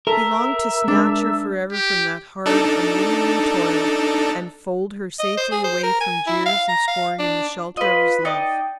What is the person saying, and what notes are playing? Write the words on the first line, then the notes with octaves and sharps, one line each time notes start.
He longed to snatch her forever from that hard, unwomanly toil and fold her safely away from jeers and scorn in the shelter of his love.
A4 A#4 E5
G#3 D4
G4
D4 D#4 A4
D#5
C5
G#4
C5
A#4
G#5
E4
F5
A#5
F5
D4
F4 B4 D#5
D#4 D5 D#5 G5